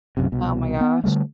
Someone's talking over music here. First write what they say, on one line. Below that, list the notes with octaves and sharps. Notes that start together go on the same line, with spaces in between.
Oh my gosh.
C2 F#2 C3
C2 B2
B3
D3 D#3 G3 A3